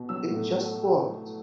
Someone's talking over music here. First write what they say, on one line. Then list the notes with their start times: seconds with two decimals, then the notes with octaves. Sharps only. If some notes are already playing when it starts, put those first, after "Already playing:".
It just worked.
Already playing: B2
0.09 F#3 E6
0.31 A2
0.52 A3